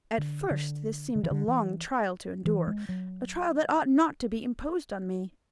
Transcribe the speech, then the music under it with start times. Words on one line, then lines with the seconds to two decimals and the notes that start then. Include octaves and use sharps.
At first, this seemed a long trial to endure, a trial that ought not to be imposed on me.
0.18 D3
0.51 D3
1.15 D3
1.23 E3
1.31 D3
1.48 E3
2.45 E3
2.67 G#3
2.89 F#3